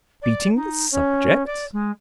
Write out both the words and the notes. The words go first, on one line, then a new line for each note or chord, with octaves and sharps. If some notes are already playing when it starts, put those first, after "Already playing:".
"Beating the subjects!"
D5
D#4
C#4
D5
G#3